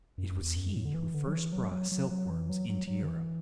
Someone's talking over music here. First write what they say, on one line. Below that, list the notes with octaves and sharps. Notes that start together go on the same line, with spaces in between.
It was he who first brought silk-worms into Europe.
F#2
E2
F#2
A2
D3
E3
D3
F#3
E3
F#3
F#3
F#3
F#3
E3
F#3
F#3
F#3
D3
E3